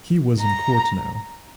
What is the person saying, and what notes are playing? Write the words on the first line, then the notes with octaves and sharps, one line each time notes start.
He was in court now.
A#5